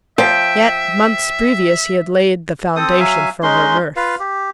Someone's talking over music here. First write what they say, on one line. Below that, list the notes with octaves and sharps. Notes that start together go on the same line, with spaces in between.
Yet months previous, he had laid the foundation for her mirth.
F3 E5 G5
C4 A4 C5 D#6
F#3 E5 F5 G#5
G#3 C#4 D#4 C6
F4 B4 F5
G4